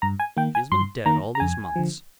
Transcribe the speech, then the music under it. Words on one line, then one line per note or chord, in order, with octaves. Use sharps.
She has been dead all these months.
G2 A#5
G#5
D#3 A#3 G5
G#5
G2 C6
D#3 A#3 A#5
A#5
F2 G#5
D3 F3